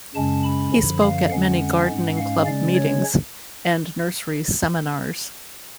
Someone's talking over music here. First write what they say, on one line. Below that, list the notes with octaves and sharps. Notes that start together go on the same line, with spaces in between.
He spoke at many gardening club meetings and nursery seminars.
F#2 C#3 G#3 C#4 A5
B5
F#2 D3 F3
F5
F2 D3 G#3 C#4 F#5
G#2 G#3 C#4
F5
C#3 G#3 C#4 D5
C#5